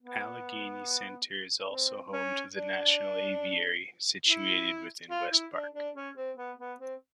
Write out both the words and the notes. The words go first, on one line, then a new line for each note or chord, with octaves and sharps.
Allegheny Center is also home to the National Aviary, situated within West Park.
B3
C4
C#4
D4
E4
F4
E4
D4
D4
C#4
C4
B3
B3
C4